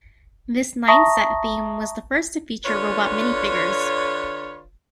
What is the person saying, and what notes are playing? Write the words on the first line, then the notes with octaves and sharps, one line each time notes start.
This nine-set theme was the first to feature robot minifigures.
E5 A5 A#5 C#6 D#6 A#6
D3 F4 B4 C#5